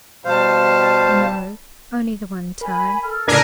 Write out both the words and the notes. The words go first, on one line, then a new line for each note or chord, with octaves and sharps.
"No, only the one time."
B2 G3 C5 F5 A5
A#4 G#5 B5
A4 F6
D2 A2 C#3 D4 A#4 G#5